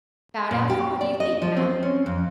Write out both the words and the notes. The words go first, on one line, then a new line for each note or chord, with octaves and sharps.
"About 'ow far do you think, ma'm?"
A#2
G4
D5
D#5
F3
C4
C#4
F2